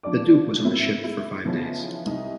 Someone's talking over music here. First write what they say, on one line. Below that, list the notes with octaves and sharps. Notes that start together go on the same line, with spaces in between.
The Duke was on the ship for five days.
F3 D4 D5 D6
G#2 F#3 A#3 C4 C#4 E4
G#3 E4
C#3 E3 F3 B3 C#4 D#4
C2 D#4